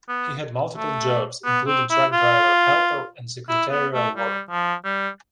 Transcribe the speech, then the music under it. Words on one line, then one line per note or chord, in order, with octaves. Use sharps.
He had multiple jobs, including truck driver helper and secretarial work.
B3
A3
B3
C4
E4
F4
E4
B3
A3
G3
F3
G3